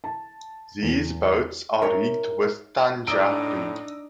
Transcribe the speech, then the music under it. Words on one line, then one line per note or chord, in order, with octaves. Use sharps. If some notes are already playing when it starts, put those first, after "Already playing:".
These boats are rigged with tanja rig.
A5
E2
D#4 A#4 C#5 E5
A2 D4 D#4 D5 A#5 D#6 E6 D7